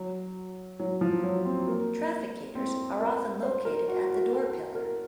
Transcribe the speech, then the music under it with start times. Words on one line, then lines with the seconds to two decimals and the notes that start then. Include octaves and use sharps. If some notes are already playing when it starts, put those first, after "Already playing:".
Trafficators are often located at the door pillar.
Already playing: F#3
0.79 F#3
1.01 F3
1.23 F#3
1.45 C4
1.67 A#3
2.55 C4
2.99 A#4
3.43 C5
3.65 A#4
3.88 F#4
4.09 F#4
4.32 A4
4.75 A#4